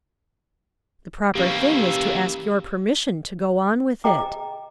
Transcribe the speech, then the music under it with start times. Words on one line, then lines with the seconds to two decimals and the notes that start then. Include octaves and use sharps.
"The proper thing is to ask your permission to go on with it."
1.35 E3 A#3 C#4 G4
4.04 G#4 D#5 G5 A#5 D6